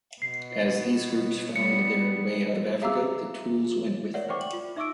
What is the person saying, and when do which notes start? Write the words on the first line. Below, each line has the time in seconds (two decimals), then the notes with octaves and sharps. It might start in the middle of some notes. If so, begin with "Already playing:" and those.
As these groups found their way out of Africa, the tools went with them.
0.22 B2 C7
1.56 G3 B3 C#7
2.82 G#4 E5 F5 A#5 D6 E6
4.14 A#4 C#5 D5 E5 F#5
4.29 C5 D5 F#5 G5 C#6 D6
4.41 F#7
4.53 F4
4.76 D#4 E5 C#6 D6 E6 D7